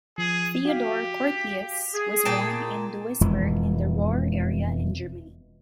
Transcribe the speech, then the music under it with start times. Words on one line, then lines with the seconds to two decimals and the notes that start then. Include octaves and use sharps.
Theodor Curtius was born in Duisburg in the Ruhr area in Germany.
0.18 F3 G#4
0.65 F#4 G4 F5
1.94 G#4
2.25 A#2 G5 A5
3.21 E1 F2 E3 G#3